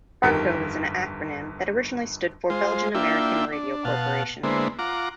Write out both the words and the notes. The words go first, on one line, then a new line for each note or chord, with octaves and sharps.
Barco is an acronym that originally stood for Belgian American Radio Corporation.
G1 F2 D#3 G4 A#4 C#7
G#3 F4 C5
A#3 D4 E4 F4 E5 G5
D4
B2 F5 F#5 A5
D3 G#3 A#3 B3 E4 C5
F4 F#5 A#5 D6